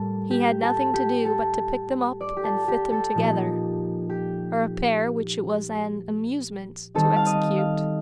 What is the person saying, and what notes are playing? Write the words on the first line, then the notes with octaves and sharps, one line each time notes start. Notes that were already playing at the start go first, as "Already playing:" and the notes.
He had nothing to do but to pick them up and fit them together--a repair which it was an amusement to execute.
Already playing: A2 G3 A#3 A4
G4
A4
G4
A4
D5
G4
A4
G4
A4
A#2 F3 A#3 D#4
G4
D#3 G3 C4 D#4 A4
F5
D#5
F5